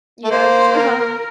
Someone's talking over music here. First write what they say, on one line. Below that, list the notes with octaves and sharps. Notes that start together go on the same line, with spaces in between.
Yes. Uh-huh. Sa
A3
A#3 C5
A#4